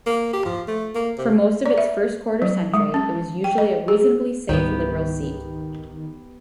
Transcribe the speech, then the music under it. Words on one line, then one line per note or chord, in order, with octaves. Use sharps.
For most of its first quarter-century, it was usually a reasonably safe Liberal seat.
A#3
G4
F3
A3
A#3
C3
D5
E5
F#3
G#3
C#4
G5
D#5
G#4
C#2 G#2 D#3 G3 B3 G4